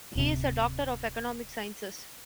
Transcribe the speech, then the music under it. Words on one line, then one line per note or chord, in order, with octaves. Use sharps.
He is a doctor of economic sciences.
D1 C3